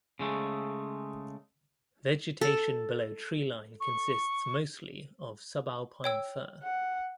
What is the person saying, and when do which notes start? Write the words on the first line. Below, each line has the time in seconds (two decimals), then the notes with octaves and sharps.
Vegetation below treeline consists mostly of subalpine fir.
0.19 C#3 G#3 A3
2.41 A4
3.80 C#6
6.04 C#5 G5 E6
6.63 F#5